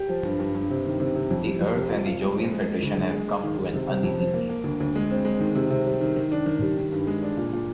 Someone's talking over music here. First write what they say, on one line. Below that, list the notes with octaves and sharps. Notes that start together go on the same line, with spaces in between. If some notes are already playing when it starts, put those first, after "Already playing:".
The Earth and the Jovian Federation have come to an uneasy peace.
Already playing: G4
F3
G2
G2
G2
C3
D#3
C3
C3
F2
G3
F2
C3
F4
F4
G#3
F3
G#3
G#3
D2
D2
G#3
G#3
D#3
D#3
C3
C3
F2
F3
A#3
A#3
D2
D2
G#3
C4
G#3
D#3
C3
C3
G3
D#3
D#3
D4
D#3
G3
D#3
G2
G#3
D4
A#2
A#2